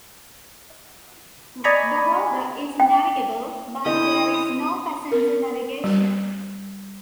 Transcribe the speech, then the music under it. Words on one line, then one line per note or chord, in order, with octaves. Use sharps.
The Volga is navigable, but there is no passenger navigation.
D5 D#5 G#5 A#5 B5 C#6
G5
D3 C4 D4 E4 G4 D#5 D#6
A#4
G3